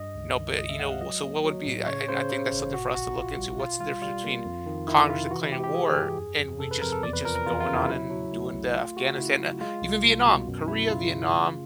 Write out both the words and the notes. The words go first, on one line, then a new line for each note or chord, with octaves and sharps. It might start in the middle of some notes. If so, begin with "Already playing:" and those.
you know, but, you know so what would be I and I think that's something for us to look into. What's the difference between Congress declaring war and we just we just going on and doing the Afghanistan ah, even Vietnam, Korea, Vietnam,
Already playing: G2 D#5
C#2
D#3
C#2 D#5
E5
G#3 F#5
F5
F#3 D#5
A#3
F#3
A2
C#3 C#5
C#3 C5
C#3
G1
A#2 F#4
A#1 F#4
A#1 F4
G3
B2 F4
G3 F4
G3 F4
A#3
F2
D#3
D#3 E4
C3 F4
E3 F#4
E4
G#3 G4
G4
E3 G#4
G#4
G2 G4
G#4
F2
F2
C3 A4
B4
F2 A#4
A4
E2 D5
B4
F3 A#4
A#4
E2 F4
F4
C#3
E4
F#3
F#3
A3
B1
A3 F4
A3 F#4
C#3 E4
F#3
G#3 F4
C2
C2
B2
F#2
F#2 E4
C#3 F4
C#3
A3